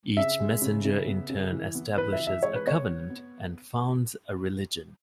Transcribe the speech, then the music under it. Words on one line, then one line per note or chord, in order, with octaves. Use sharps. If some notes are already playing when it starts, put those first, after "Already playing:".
Each messenger in turn establishes a covenant and founds a religion.
C#3 E5
G#3
C#3
C#3
B3
C#3
E3
B3
E3 B4
E5
E3
E5
G#3 C#5
B4
B3 C#5
B3
B3